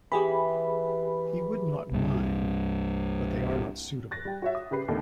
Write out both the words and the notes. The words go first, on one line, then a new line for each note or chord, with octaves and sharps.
He would not mind; but they are not suitable.
E3 G4 G#4 B5
C2 G2
F#6 A6 A#6
G3 G5
F#4 C#5 E5
D#6
C#3 G4 B4 C7
D#2 D3 A3 B3 D#4